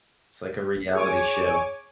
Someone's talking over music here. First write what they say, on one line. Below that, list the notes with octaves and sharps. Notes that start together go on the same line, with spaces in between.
It's like a reality show,
G#4 C#5 G#5 D6